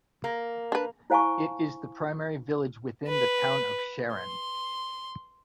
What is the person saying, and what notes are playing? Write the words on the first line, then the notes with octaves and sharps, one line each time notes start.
It is the primary village within the town of Sharon.
A#3
D4 B4
E4 C5 F5 G#5 A5 C#6
B4
C6